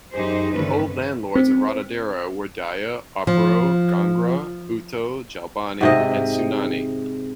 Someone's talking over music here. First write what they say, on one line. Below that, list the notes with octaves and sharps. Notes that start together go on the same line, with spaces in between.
The old land lords of Ratodero were Daya, Abro, Ghanghra, Bhutto, Jalbani and sunnani.
F#2 D#4 G4 G#4 C5
G2 D3 D#3 A3 C#4 B4
C4
F3
G#2 C3 D#5